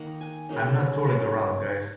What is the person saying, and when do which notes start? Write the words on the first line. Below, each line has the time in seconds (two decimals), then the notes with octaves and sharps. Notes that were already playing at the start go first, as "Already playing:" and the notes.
I'm not fooling around guys.
Already playing: D#3 A#3 D#4 F#5
0.21 G#5
0.49 C#3 F#3 A#3 D#4
1.05 F#3 A#3 C#4